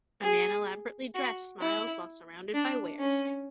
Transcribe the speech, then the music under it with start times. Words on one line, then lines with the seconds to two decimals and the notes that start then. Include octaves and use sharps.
A man, elaborately dressed, smiles while surrounded by wares.
0.22 G#4
1.15 F#4
1.61 E4
2.54 D4
2.99 C#4